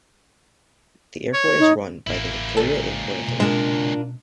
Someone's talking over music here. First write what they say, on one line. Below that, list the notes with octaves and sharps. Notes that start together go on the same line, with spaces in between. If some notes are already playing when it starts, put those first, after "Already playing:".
The airport is run by the Victoria Airport Authority.
C#5
D#4
A1 A#3 E4
C#2 A#2 A4
B2 C4
G#3 D4 F4 A#4